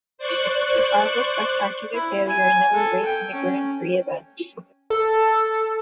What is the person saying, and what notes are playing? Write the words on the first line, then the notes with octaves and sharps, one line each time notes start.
The car was a spectacular failure and never raced in a Grand Prix event.
C5 D5 C#6 F#6
E4
G#5
A4
G5
C#4
A4